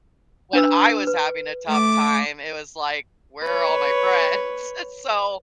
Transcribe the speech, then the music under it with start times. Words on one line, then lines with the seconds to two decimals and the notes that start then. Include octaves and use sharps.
when I was having a tough time, it was like, "Where are all my friends?" So,
0.53 D4 B4 E6
1.07 B4
1.67 A3 D6
3.43 B4 C#5